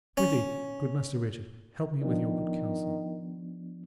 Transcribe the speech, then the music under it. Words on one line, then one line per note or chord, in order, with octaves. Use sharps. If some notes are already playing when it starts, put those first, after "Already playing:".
Prithee, good Master Richard, help me with your good counsel.
C#4
D#3 F3 B3 D4